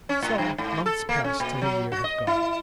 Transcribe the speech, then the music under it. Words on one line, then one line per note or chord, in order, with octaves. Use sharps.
So months passed till a year had gone.
C#4
A2
G2
G#2
A4
A#3
C#4
A#2
F#3
F#4
D#5
E4